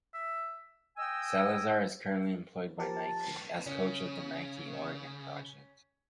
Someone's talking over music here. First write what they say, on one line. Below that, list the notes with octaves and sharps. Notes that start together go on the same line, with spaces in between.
Salazar is currently employed by Nike as coach of the Nike Oregon Project.
E5
D#5 G5 G#5 E6
F3 G4 A#4 A5
C#3 C#4